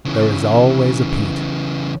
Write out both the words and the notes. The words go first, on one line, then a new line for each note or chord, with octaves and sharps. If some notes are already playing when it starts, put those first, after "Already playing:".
There is always a Pete.
C#3 E3